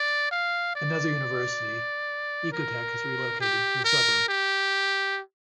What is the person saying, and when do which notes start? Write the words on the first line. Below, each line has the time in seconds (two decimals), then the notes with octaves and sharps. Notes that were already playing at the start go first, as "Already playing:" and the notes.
Another university, Ecotec has relocated to the suburb.
Already playing: D5
0.32 F5
0.76 D5
2.52 A#4
3.41 G4
3.84 A#4
4.28 G4